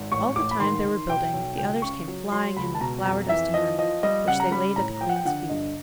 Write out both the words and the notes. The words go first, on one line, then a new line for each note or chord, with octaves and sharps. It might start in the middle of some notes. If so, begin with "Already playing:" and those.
All the time they were building, the others came flying in with flower-dust and honey, which they laid at the Queen's feet.
Already playing: G#1
A1 C#6
A1 D6
B5
D#3 C6
D#3
B1 G5
B1
C#2 G5
C#3 C#6
F#3
F#3 C6
C#2 B5
A5
B2 A#5
F2 A#5
E3 E5
F3 D#5
F3 D#5
G3 D#5
C#3 F#5
A#5
G3 B5
A2 A#5
F3 G5
F#5
G5
D3 F#5
G2 D#5